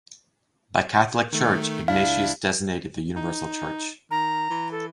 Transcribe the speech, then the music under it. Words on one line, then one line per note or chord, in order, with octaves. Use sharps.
By "Catholic Church" Ignatius designated the universal church.
D#3 A3
C#2 D4 E4 F5
D#4
D#3 A#5
E3
A4